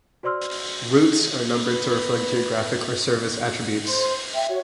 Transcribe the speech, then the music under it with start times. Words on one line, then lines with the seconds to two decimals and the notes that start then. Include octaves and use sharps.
Routes are numbered to reflect geographic or service attributes.
0.23 F#4 C5 D5 C6 E6 F6
1.62 B3
3.86 C5 C6
4.34 E5 G5
4.49 F#4 C#5